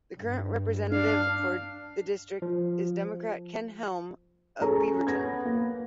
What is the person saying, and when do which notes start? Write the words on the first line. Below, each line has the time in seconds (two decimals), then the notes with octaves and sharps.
The current representative for the district is Democrat Ken Helm of Beaverton.
0.17 G2
0.92 D4 F5
2.42 F3
4.61 C#4 G#4 A4 A#5
5.07 B3 G#6 A#6
5.45 A#3